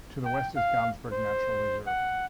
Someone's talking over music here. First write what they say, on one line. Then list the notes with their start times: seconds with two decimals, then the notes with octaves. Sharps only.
To the west is Gamsberg Nature Reserve.
0.25 G5
0.56 F5
1.12 C5
1.87 F#5